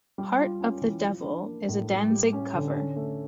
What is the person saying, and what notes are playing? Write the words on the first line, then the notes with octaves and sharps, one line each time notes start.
"Heart of the Devil" is a Danzig cover.
G3
F4
C#4
E3
F3
D4
A#3
A2
G3
G4
C#4
D3
C#4
A3